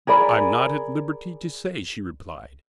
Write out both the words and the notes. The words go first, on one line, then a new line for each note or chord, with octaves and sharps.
"I'm not at liberty to say," she replied.
G#4 A#4 D5 B5